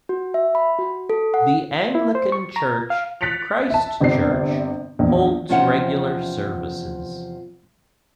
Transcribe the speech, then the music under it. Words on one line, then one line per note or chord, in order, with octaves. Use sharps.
The Anglican church, "Christ Church" holds regular services.
F#4
E5
B5
F#4
A4
F#5
E4
C5
C#6
A#5
F5
F#6 A6 B6 C#7 D7 F7
E5 A5
G1 C3 D5 C7
A#1 E2
E2 C3 F3 C#4 D#4 F#5